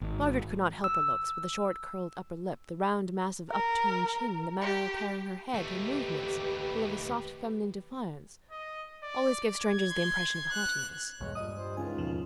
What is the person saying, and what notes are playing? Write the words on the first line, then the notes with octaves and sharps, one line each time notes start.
Margaret could not help her looks; but the short curled upper lip, the round, massive up-turned chin, the manner of carrying her head, her movements, full of a soft feminine defiance, always gave strangers the impression of haughtiness.
G#1
E6
A#4
G4
D#2 A3 G4 B4
D#5
D5
G#6
C6
F#6
B1 E2 G2 G#3 C#5
G2 A#2 D#5 D#6
G3 C5
C#2 D#3 E3 F4 G#5
D#2 G#2 B2 F3